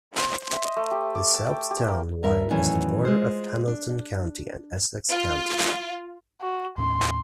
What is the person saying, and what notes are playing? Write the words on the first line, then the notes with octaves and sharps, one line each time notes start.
The south town line is the border of Hamilton County and Essex County.
C5
E5
D#5
A3
G4
D6
A5
G5
G4
A#3
G2 A#4 E5
E2 A2 D#3 E3 F#3 C#4
G#3 F4 C5
D4
F4
F#4
D#2 A2 C#4 C6